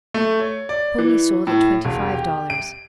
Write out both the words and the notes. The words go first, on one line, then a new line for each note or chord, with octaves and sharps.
Ponies sold at twenty-five dollars.
A3
C#5
D5
E3
A2
E1
G4
D7